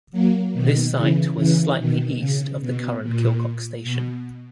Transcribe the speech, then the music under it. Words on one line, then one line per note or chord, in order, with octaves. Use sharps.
This site was slightly east of the current Kilcock station.
F#3 A#3
B2 D#3
C#3 E3
C#3 E3
B2 D#3
C#3
B2
A#2
B2